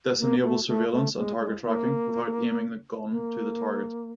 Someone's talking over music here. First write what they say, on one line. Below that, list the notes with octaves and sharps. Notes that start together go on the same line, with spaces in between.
This enables surveillance and target tracking without aiming the gun to the target.
A#3
A3
A3
A3
G#3
G#3
A#3
A#3